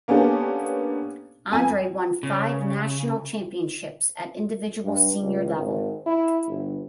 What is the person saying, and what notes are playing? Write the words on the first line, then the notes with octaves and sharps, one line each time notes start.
Andrei won five national championships at individual senior level.
A#3 B3 C#4 D4 G4 A4
F2 G#5
C#3
G2
C#2
G#1
E4
G1